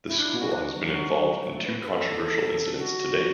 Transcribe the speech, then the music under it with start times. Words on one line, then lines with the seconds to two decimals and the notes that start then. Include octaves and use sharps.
The school has been involved in two controversial incidents to date.
0.07 E4
0.18 D4
0.29 E4
0.41 F#4
0.51 D4
0.75 F#3
0.86 F#3
1.42 F#3
1.53 A3
1.65 B4
1.82 B4
1.88 A4
2.78 F#4